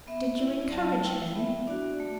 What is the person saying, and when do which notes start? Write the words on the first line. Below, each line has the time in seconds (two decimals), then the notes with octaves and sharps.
"Did you encourage him?"
0.07 B3 E5
0.39 E4 D5
0.72 F#3 A5
1.03 A3 E4 G5
1.35 B3 E5
1.67 D4 F#4 D5
2.00 A3